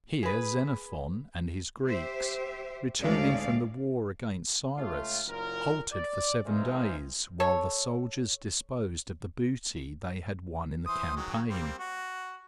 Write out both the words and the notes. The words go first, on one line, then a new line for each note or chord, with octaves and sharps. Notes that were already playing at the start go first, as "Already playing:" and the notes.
Here Xenophon and his Greeks, returning from the war against Cyrus, halted for seven days while the soldiers disposed of the booty they had won in the campaign.
G#4 B4
G4 C5 E5
D2 G#2 G#3 C#4 D5 F5
C#2 A3 F4
F#1 A#2 A#4
D5
E3 G#3 A#3 C4 C#4 D#4
A4 C#5
E3 C5 D#6
D#3 F#3 G#3
G3 A#3 C4
F#4